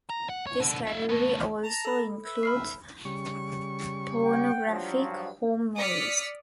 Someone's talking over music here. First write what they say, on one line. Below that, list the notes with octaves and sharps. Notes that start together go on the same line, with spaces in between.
This category also includes pornographic home movies.
A#5
F#5
C#5
B2 D3
F4 E5
A3 B3
A5 A#5
A4 B5
B4 E5
B5 F6 C7
C#3 G3 C#6
F#5 G5
G2 F3 F#3
D5 D#6 F6 B6 C#7